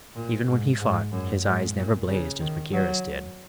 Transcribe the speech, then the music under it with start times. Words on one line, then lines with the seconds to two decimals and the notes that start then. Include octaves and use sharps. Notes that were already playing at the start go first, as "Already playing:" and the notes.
Even when he fought, his eyes never blazed as Bagheera's did.
0.16 A#2
0.48 G#2
0.80 G#2
1.12 F#2
1.44 G#2
1.76 A#2
2.09 C#3
2.40 D#3
2.73 F#3